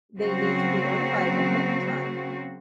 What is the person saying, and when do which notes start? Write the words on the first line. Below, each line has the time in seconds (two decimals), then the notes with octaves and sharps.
They need to be notified ahead of time.
0.18 C#3 F#3 A#3 C4 F#4